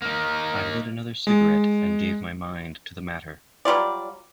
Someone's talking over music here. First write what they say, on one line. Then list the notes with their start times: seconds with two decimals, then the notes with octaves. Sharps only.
I lit another cigarette and gave my mind to the matter.
0.02 A#3 D#4
1.27 G#3
3.65 F#3 G3 F4 D5